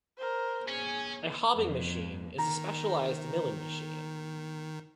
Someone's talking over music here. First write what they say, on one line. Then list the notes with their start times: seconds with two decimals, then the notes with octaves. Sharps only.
A hobbing machine is a specialised milling machine.
0.17 A#4 C5
0.68 C#4 G#4
1.53 F2
2.38 D#3 A#5